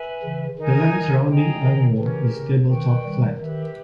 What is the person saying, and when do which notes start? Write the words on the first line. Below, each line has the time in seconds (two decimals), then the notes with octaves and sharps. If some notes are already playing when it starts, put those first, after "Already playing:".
The land surrounding Elmore is tabletop flat.
Already playing: B4 E5 G#5
0.23 C#3 E3
0.58 D#3 D#4 A#4 D#5 G#5
0.94 D#3
1.29 C#3 G#4 D#5 G5 A#5
1.64 D#3
1.98 C#3 E3 C#4 G4 A#4
2.33 C#3
2.69 D#3 B4 G5 C#6
3.03 D#3 G3
3.39 D#3 G4 B4 E5